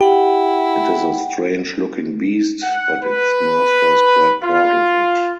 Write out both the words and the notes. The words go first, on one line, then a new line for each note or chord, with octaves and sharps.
It is a strange-looking beast, but its master is quite proud of it.
E4 G4 F#5 G5
F#5
B4
F4